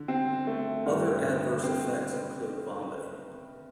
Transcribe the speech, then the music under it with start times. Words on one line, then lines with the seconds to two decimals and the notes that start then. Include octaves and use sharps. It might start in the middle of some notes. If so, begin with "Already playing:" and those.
Other adverse effects include vomiting.
Already playing: D3
0.08 C4
0.47 A3
0.86 G2
1.25 D3
1.63 C4